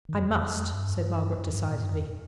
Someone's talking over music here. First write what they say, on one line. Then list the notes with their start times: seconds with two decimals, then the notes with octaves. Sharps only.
'I must,' said Margaret, decidedly.
0.09 D#3
0.14 G2
0.20 F2
0.30 F2
0.74 G2
1.38 G2
1.47 F2
1.55 G2
1.63 G#2
1.71 A#2
1.82 G2
1.93 F2